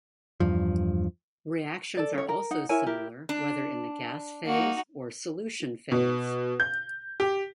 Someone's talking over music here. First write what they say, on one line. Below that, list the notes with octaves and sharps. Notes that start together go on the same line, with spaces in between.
Reactions are also similar whether in the gas phase or solution phase.
E2 G2 F3
A4 D5
C#4 C#5
A#4
D#4 F#5
E4 A#4 C#5 G#5
E4 G4 A#4
D4
A#3 D#4 F#4
B2
G6
G4